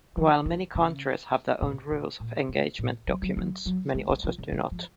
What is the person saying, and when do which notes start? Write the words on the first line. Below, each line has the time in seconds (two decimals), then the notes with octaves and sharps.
While many countries have their own rules of engagement documents, many others do not.
0.17 F3
0.46 D#3
0.75 C#3
1.62 B2
1.91 B2
2.20 A#2
2.49 B2
2.79 A#2
3.07 F#3
3.22 F#3
3.37 F#3
3.66 F#3
3.94 G#3
4.09 G#3
4.24 F3
4.38 C#3
4.52 C#3
4.71 F3